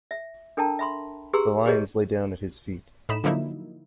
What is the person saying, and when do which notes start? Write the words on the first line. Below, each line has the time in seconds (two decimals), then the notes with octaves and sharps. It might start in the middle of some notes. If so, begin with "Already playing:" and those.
The lions lay down at his feet.
0.11 E5
0.57 D4 A4 A#4 G5 A5 A#5
0.79 E5 B5 C6
1.33 G4 G#4 B4 A#5 C6 E6
1.66 G4 G#4 B4 C#5 D#5
3.09 A2 D#4 B5 E7
3.24 D3 F3 F#3 A#3 D#4 E4